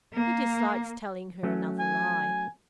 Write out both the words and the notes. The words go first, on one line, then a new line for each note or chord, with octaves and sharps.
He dislikes telling her another lie.
A#3
F#3 A3 C#4
G#5